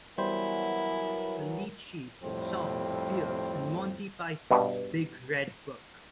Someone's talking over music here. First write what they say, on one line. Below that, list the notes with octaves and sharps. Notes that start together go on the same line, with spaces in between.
A lead sheet for the song appears in "Monty Python's Big Red Book".
E3 F#3 G3 B3 E4 A#4 C5
F2 A2 G3 C4
G2 B2